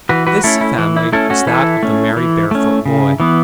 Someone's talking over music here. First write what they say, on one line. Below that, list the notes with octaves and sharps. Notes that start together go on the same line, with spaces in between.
This family was that of the merry barefoot boy.
E3 F#4 B4
F#4 B4
A3 C#4 E4 A4
E4
E3
E4
A3 C#4 E4 A4
C#4 F#4
E3 E4 A4
A3 C#4
E3
A3 C#4
C#3
E3 B3